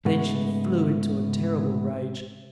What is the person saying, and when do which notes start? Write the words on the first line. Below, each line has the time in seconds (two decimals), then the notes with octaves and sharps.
Then she flew into a terrible rage.
0.05 G#2 C#3 G#3 A3 B3 F#4